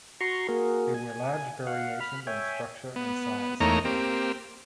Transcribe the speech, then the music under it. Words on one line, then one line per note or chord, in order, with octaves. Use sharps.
There were large variations in structure and size.
F#4 A#5 C6 C#6
A#3 F#4 G#4 A#4
G#5
F5 F#5
B5 F6
C#5 E5 G5 G#5
B3
E2 A3 A#3 D#4 C#5 A#5
A#3 C4 G4